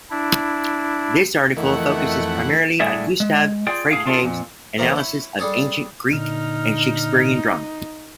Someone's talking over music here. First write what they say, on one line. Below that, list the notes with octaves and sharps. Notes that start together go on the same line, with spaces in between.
This article focuses primarily on Gustav Freytag's analysis of ancient Greek and Shakespearean drama.
D4 E4
F2 D#3 E3 A3 F#5
A2 D3 G3 G#4 D5 E5
G#3
F4 G#4 D5 G5
A2 G#4 F5
C4 D4 F4 F#4 G#4 A4
F2 A#2
E2 A3 A#3 C4
E4 C#5
G3 D4 G#4 A4 C#5
A#2 D3 D#4 F6